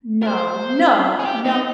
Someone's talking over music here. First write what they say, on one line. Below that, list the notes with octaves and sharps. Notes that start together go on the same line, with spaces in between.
No, no, no!
A#4
C5
G#4
G4
D#4